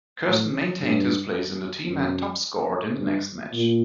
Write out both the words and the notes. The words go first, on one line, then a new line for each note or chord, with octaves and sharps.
Kirsten maintained his place in the team and top scored in the next match.
A2
G2
F#2
G2
A#2